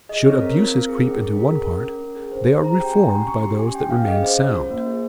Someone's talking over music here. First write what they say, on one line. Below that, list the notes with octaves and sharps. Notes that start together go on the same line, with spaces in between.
Should abuses creep into one part, they are reformed by those that remain sound.
G#4 D#5
C4 C#5
C4 A#4
F4
C4
G#4
C#4
G#4
G#4 A#4
C#4
C#4
C#4
C#4
G#4
C#4 C5
C#4 C5
G#4 A#5
G4 G5
C#4 G#5
A#5
C#4 C6
C#4 C#6
G4 C6
C#4 G#5
C#4 G5
C#4 F5
G#4 D#5
C#4 C5
C#4
F4
A#3
G#4